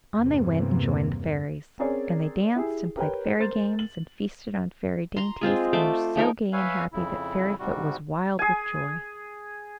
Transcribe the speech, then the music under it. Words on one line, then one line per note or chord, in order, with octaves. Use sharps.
On they went and joined the fairies, and they danced and played fairy games and feasted on fairy dainties, and were so gay and happy that Fairyfoot was wild with joy.
E2 G2 C3 A#3
C4 C#4 G#4 A#4 C#5 D5
E4 G4 G#4
G4 A#4 B4 C#5 G5
A#4 C5 C6 A6
F#7
A#5 C6
G#3 C4 F4 G#4
A3 C5 D6
F3 G#3 D#4 A#4
B4 C#5 E5 F5 G#5
F2 C#3 E4
G#2 C3 G3 F#4
G#4 G#5